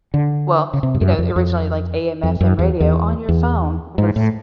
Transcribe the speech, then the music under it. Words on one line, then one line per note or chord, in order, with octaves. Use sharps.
well, you know, originally like AM/FM radio on your phone was
D3
C#3
C3
G2
F#2
F2
F2
F2
F#2
E2
E2
E2
G#2
A2